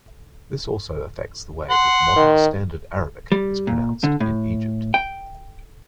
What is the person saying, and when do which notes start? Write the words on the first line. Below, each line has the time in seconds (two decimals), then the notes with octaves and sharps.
This also affects the way that Modern Standard Arabic is pronounced in Egypt.
1.70 F#5 C6
2.16 D#3
3.32 G3
3.67 A#2
4.04 D3
4.20 A2
4.94 G5